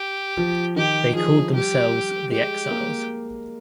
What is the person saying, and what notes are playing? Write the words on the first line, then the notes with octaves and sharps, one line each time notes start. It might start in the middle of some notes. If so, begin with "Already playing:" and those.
They called themselves the Exiles.
Already playing: G4
F3
D#3 G4
F3 G#4
G3 G4
G#3 G4
A#3